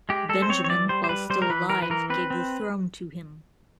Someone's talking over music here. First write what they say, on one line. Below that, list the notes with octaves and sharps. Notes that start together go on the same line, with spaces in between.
Benjamin, while still alive, gave the throne to him.
G#3 G4
G#3 A4
C5
C4 C#5
C#5
E3 D5
G3 C5
C5
G3 B4
G3 C5
A#4
E3 B4
E3 A#4
B4
E3 A#4
C4 B4
C4